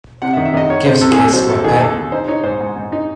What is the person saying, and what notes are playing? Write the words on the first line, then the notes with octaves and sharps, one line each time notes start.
Give us a kiss, my pet.
C3 F#5
E5
D#3
E5
D#3 D#5
D#3 C#5
C3 C5
C3 A4
G#4
D#2 A4
F#3 C5
D#2 A4
D#3 G#4
D#2 A4
D#2
D#4 C5
D#4 C#5
G#2 C5
G#2
G#2
D#4